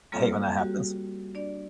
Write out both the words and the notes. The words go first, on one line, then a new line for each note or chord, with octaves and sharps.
I hate when that happens.
G3 A#3 C4 F4 A4 C#5
G3 F#4 G4
D4 D5